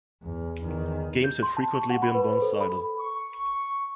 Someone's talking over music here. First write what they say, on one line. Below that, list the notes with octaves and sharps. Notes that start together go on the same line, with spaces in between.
Games had frequently been one-sided.
E2
E2 D#3
G6
C6
A5
C#6
F#5
B5
B4
C5
A4
B5
C#6